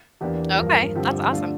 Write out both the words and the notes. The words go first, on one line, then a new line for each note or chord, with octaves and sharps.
Okay, that's awesome.
E2 E3 A#3 D4 G4
G2 F3 A#3 A#4
G2 D3 F3 C4 G4
D3 A3 D4 F4